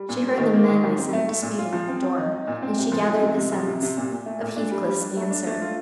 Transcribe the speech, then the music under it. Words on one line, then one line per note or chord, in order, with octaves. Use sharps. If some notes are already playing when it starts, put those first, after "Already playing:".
She heard the men I sent disputing at the door, and she gathered the sense of Heathcliff's answer.
Already playing: G3
A#2
A#3
D#3
A#3
D#3
D#3
C4
A3
A3
A#2
F4
F3
C4
C4
D#4
D#4
A#2
C4
C3
F3
D#4
C3
C3
F3
C3
C3
A#2
A#2
A3
A#2
D4
G3
G3
D4
A3
D4
A3
F4